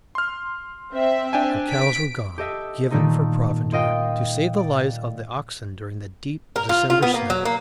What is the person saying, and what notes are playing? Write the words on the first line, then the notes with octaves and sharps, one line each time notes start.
Our cows were gone--given for provender to save the lives of the oxen during the deep December snow.
C6 F6
C4 E5
D4 G5 G#5
B6 D7
G4 A4 D#5 E5
A#2 D#3 G3 A3 D#4 F4
F4 A#4 D#5 F5 G5
D5
A#4
F4
F4
B3
A#3
F#3
A#3